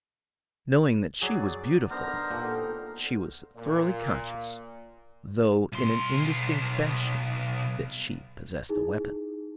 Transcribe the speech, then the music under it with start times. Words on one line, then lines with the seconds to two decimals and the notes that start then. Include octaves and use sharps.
Knowing that she was beautiful, she was thoroughly conscious, though in an indistinct fashion, that she possessed a weapon.
1.22 F#3 G#4 D5
1.90 B3 D4 D#4 A#4 C5 A#5
2.31 A#2 G4 A4 F#5
3.56 A#2
5.73 B1 C6
8.69 D#4 E4 G#4